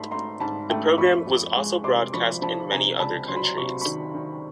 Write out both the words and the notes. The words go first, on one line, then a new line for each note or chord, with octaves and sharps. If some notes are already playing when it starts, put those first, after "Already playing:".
The program was also broadcast in many other countries.
Already playing: G#2 A3 A5 B5 C6
A3 A#5 C6
G#2 A5 B5
A3 G5 A5
F2 B5 C#6
F2
G#3
C3 C6 D6
F3 B5 C#6
F3 A5 B5
C3 G#5 A#5
C#2 A5 B5
F#3 C6
B5
A#5 C6
C3 C#6
C6
D#3 B5 C#6
D#3